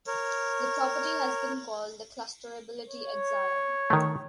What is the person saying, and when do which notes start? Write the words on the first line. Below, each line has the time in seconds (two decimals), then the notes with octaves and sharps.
The property has been called the "clusterability axiom".
0.07 A#4 C#5
2.89 C#5
3.90 D#3 A3